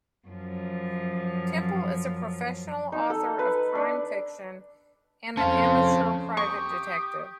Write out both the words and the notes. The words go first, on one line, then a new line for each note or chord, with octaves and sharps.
Temple is a professional author of crime fiction and an amateur private detective.
F#2 F3
D#4
A4
B4
D4
F2 C#4 C5 F5 A5
G4 C#6 D#6